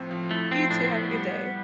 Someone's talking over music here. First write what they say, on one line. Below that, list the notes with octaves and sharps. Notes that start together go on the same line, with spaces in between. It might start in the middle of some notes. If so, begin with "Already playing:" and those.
You too, have a good day.
Already playing: A2 F3 C4
F3
A3 E4
F3 C4
A2 D4
C4
A2 B3
G3
G3